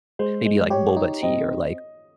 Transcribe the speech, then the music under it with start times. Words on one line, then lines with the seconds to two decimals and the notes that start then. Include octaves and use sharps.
maybe, like, boba tea or, like,
0.19 G#3 C5
0.46 G#3
0.70 G4 C#5
0.97 D#4
1.23 C4 D#5